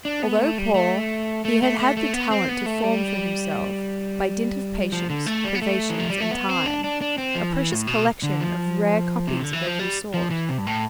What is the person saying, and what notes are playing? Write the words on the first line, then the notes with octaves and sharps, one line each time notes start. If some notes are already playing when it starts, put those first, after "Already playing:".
Although poor, he had had the talent to form for himself, by dint of patience, privations, and time, a precious collection of rare copies of every sort.
D4
B3
A3
G3
A3
A3
A3
A3
A3
B3
C4
B3
A3
G3
F3
D3
A3
G3
B3
A3
E3
F3
G3
A3
B3
C4
D4
D4
D4
C4
F3
E3
A2
B2
D3
F3
C3
D3
E3
F3
G3
F3
E3
C3
G2
A2